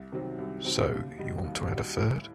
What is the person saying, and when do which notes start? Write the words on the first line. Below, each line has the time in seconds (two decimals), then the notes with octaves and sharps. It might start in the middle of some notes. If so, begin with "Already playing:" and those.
So you want to add a third?
Already playing: C2
0.12 C3 D#3 F#3 C4
0.38 C2
0.65 C3 D#3 F#3 C4
0.91 D#2
1.17 D#3 G3 D#4 F#4
1.44 D#2
1.70 D#3 G3 D#4 F#4
1.97 A2